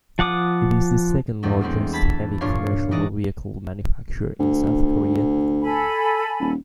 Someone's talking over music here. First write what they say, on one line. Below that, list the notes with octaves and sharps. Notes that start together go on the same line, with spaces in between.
It is the second-largest heavy commercial vehicle manufacturer in South Korea.
F3 F#5 D6 D#6
E2 A2 F#3 G#3 D4
G3 G#3 B3 C4
A5 B5 G#6 A6 B6
G2 A#2 D4 F4 C#5 F5
E3 G#3 D#4 F#4 D5 D#5
D2
A4 G#5 B5
D#1